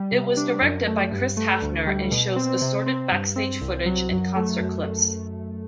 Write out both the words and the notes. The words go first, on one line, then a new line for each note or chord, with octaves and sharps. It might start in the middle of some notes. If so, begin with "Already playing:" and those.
It was directed by Chris Hafner and shows assorted backstage footage and concert clips.
Already playing: G3
C3
D4
F#2
A3
G2
A3
D2
G3
B2
C4
C3
C4
G2
C4
C2
F#3
F#2
A3
F#2